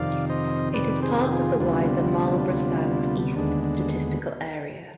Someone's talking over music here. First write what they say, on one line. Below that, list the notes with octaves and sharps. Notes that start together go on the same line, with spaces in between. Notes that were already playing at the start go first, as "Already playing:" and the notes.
It is part of the wider Marlborough Sounds East statistical area.
Already playing: F2 C3 D#3 D5 F5
C5 D#5
F2 C3 D#3 B4 D5
G#4 C5
F4 G#4
D2 C3 G3 B3 D4 F4
D2 C3 G3 B3
D#2 D3 G#3 B3 D4
D4